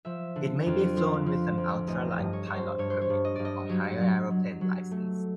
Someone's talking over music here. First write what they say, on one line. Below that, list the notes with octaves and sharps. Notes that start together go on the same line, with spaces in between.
It may be flown with an Ultra-light Pilot Permit or higher aeroplane licence.
F3 E5
D3
F2
F3
F3
F2
A1 D#5
D#5
G2
C#5
G2 C#5
C5
G2 C#5
C5
C#5
G2
D#5
G2 D5
D#5
F#3
F#3
F#3
F#3
A3